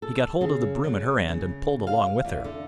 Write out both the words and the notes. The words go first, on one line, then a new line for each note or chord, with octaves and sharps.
He got hold of the broom at her end and pulled along with her.
A4
C#3
F#3
C#3
F5
E2
D3